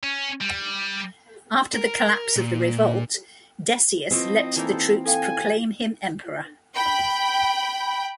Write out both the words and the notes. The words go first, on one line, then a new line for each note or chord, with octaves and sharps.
After the collapse of the revolt, Decius let the troops proclaim him Emperor.
C#4
G3
A#4
A#2
F3 A3 C4 E4 D#5
E3 A#3 D#4 A4
A4 F5 G5 G#5
G5 B5